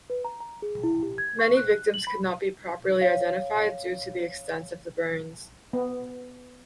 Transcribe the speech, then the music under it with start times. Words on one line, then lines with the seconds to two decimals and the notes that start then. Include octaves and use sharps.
Many victims could not be properly identified due to the extent of the burns.
0.10 B4
0.25 A#5
0.41 A#5
0.62 G#4
0.83 E4
1.03 G4
1.18 G#6
1.39 C#6
1.57 F#6
1.94 F#7
2.07 B5
3.01 C#5 F5
5.73 B3